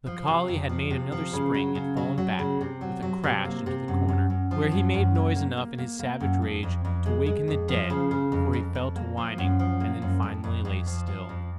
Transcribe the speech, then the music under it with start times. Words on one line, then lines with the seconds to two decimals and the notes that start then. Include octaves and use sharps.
The collie had made another spring and fallen back with a crash into the corner, where he made noise enough in his savage rage to waken the dead before he fell to whining and then finally lay still.
0.06 F3
0.28 C3
0.48 F2
0.69 F3
0.91 C3
1.12 F3
1.33 C#3
1.54 F#3
1.75 C#3
1.97 F#3
2.18 F#3
2.39 C#3
2.61 C3
2.81 F#3
3.03 F#3
3.24 C3
3.45 A#3
3.66 C3
3.88 F#2
4.08 F#2
4.30 F#2
4.51 F3
4.72 F#2
4.94 F#2
5.15 A#3
5.36 A#3
5.57 A#3
5.78 A#3
5.99 A#3
6.20 F#2
6.42 F2
6.63 F2
6.85 F2
7.06 G#3
7.26 G#3
7.48 F2
7.69 F3
7.90 C#3
8.11 C#3
8.32 F2
8.53 F2
8.75 F2
8.96 A#3
9.17 F3
9.38 F#2
9.59 F3
9.80 A#3
10.02 F#2
10.23 F2
10.44 F2
10.65 F2
10.86 F3
11.07 F3
11.29 F2